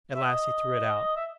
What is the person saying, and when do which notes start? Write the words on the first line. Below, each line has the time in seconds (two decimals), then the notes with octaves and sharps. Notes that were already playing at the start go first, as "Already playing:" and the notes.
At last he threw it out.
0.15 E5
0.25 D#5
1.17 E5